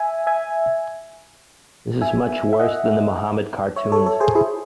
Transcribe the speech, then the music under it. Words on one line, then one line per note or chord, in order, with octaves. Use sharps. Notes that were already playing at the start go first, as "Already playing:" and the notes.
This is much worse than the Muhammad cartoons.
Already playing: E5 G#5
E5 G#5
E5 G#5
E5
D#5 F#5
C#5 E5
A4 C#5
A4 C#5
G#4 C5
E4 G#4